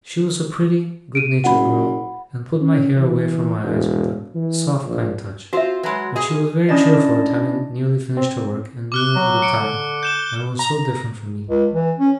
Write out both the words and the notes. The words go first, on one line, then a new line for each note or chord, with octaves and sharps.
She was a pretty, good-natured girl, and put my hair away from my eyes with a soft, kind touch; but she was very cheerful at having nearly finished her work and being in good time, and was so different from me!
D7 D#7
F#1 F#5 B5
C#4
E3
E1
E3
A#1
C4 F4 F#4 C5 E5
F#3 G#3 B4 B5
G#4 D#5
C#4 D4 E4 D5 D#5
C4
D6 F6 F#6
F#3
C#7 D7
D3
G6 E7 G7
A#5
C#2
E3
C#4